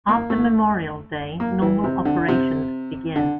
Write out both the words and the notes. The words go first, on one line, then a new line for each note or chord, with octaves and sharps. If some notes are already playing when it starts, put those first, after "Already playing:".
After Memorial Day, normal operations begin.
A#3
A3
A#3
E3
C3
D3
C3
D3